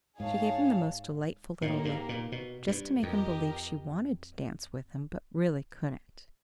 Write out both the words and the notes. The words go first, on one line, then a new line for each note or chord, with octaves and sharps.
She gave him the most delightful little look, just to make him believe she wanted to dance with him but really couldn't.
G#2 D#4 G#4 C#5 F5 A5
A2 A#3 D#4 G4 A#4
G#2
A#2
B2
G2
F2 G4 A#4 D#5 G5